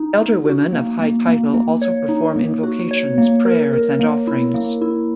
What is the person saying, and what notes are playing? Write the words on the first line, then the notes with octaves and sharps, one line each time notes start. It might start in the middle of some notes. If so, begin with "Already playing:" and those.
Elder women of high title also perform invocations, prayers, and offerings.
Already playing: D#4
D#4
F#4
A#3
A#3
A#3
A#3
C#5
D#4
A#3
F#4
C#5
A#3
A#4
A#4
A#3
E4
A#3
E4